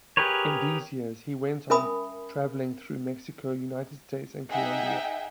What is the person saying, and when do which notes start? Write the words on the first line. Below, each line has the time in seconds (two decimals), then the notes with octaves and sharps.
In these years, he went on traveling through Mexico, United States and Colombia.
0.17 G4 G#4 A#4 B4 C#5
1.70 C#4 A#4 E5 G#5 B5 D#6
4.51 D#4 G#4 D#5 E5 F#5 G5